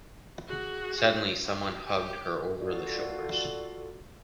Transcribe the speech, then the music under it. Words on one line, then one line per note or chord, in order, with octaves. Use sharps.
Suddenly someone hugged her over the shoulders.
F#4 G#4
G4
G4
F4 F#4 A4 D5